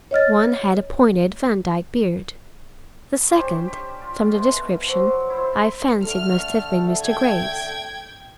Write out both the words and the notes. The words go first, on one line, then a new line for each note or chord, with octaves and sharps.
One had a pointed Vandyke beard; the second, from the description, I fancied must have been Mr. Graves.
C#5 D#5 F6 A6
C#4 D4 G4 C5
G4
F4
B2 G#3 A3
F3 F#3
E4 C5
D3 A3 A4 F6
G5 G#6